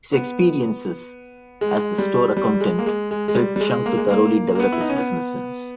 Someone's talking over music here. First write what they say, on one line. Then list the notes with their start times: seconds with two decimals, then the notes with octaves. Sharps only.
His experiences as the store accountant helped Chung to thoroughly develop his business sense.
0.13 B3
1.61 G#3
1.98 G3
2.37 G3
2.60 G#3
2.79 A#3
2.86 G#3
3.11 G#3
3.28 G#3
3.35 G3
3.56 G3
3.60 G#3
3.86 A#3
3.97 G#3
4.10 A#3
4.55 A#3
4.60 B3
4.72 E4
4.81 D#4
4.89 C#4
4.96 B3